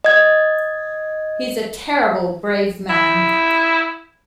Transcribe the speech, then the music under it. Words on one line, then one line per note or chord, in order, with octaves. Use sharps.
He's a terrible brave man!
D#5 G#6
E4